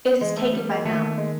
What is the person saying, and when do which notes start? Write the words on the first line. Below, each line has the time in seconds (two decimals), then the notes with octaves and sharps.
It is taken by mouth.
0.21 E3 G#3
0.37 A3
0.53 G3 A#3
0.69 G#3
0.85 D#3 A3
1.01 A3
1.17 G#3 A#3